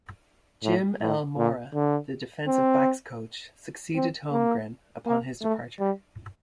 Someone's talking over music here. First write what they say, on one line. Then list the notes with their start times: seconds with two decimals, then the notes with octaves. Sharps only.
Jim L. Mora, the defensive backs coach, succeeded Holmgren upon his departure.
0.63 A2
1.01 A2
1.37 A#2
1.74 D3
2.47 C4
3.95 C4
4.32 A#3
5.06 A#3
5.42 A3
5.79 G3